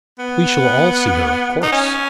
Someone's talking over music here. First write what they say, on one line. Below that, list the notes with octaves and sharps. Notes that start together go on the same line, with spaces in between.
"We shall all see her, of course."
B3
D#4
C#4